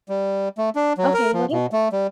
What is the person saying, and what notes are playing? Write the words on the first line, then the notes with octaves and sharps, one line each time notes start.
Okay, what is it?
G3
A3
D4
F#3
A#4
F3
B2
A3
G3